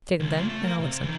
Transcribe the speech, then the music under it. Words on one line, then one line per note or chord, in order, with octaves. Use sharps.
"Say them, then, and I'll listen."
C#2
C3 F4
A3
A#4 F5
C3
E3 D#4